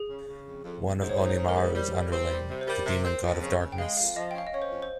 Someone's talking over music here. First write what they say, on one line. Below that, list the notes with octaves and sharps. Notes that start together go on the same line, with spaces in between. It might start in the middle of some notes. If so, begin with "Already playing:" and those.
One of Onimaru's underling, the Demon God of Darkness.
Already playing: G#4
C#3
C#3
F2
F2
F2
G#2 C5
C#5
D#4 C5
C#5
G#2
A#4
G3 C5
G3
G3
C4
G3
C3
C5
G3 A#4
C3
C4
F2
C#3
C#3
G5
G#3 F5
F2 F5
F3 D#5
G5
C#4 F5
D#5
C#4 C#5
C5
F2
C5